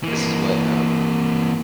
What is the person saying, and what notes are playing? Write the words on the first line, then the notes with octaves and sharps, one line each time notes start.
this is what, um,
E3 A#3